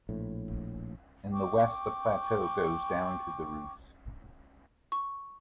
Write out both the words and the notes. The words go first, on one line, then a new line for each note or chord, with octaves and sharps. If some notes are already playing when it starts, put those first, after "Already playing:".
In the west the plateau goes down to the Reuss.
A#1 A2
G5 C#6 D6
C#6